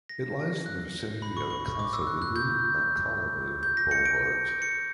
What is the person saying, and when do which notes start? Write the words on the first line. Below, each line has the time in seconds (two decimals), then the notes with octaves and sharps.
It lies in the vicinity of the Kasa-Vubu and Kalamu boulevards.
0.09 A#6
0.66 F#6
1.22 B5
1.37 C#6
1.50 C#6
1.65 C#6
1.79 D6
1.93 E6
2.07 F#6
2.22 F#6
2.36 G6
3.63 G6
3.77 A#6
3.91 C#7
4.06 D7
4.62 C#7